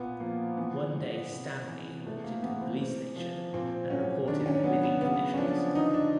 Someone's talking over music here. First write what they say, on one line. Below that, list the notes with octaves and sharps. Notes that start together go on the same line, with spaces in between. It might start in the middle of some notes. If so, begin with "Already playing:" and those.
One day Stanley walked into a police station and reported their living conditions.
Already playing: A#2 B3
F3 A#3
E3 B3
G2
C3
E3
C3 A3
A#3
E3 B3
C4
C3
F3
A#2 C4
F#3 C#4
D#3 D4
C#4
F#3 B3
B3
C#3 B3
C#4
F3 D4
D3 D#4
D4